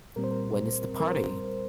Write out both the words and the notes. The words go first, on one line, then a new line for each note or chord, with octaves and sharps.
When is the party?
A#2 G3 C4 A#4
C5
A#4
A#4
C5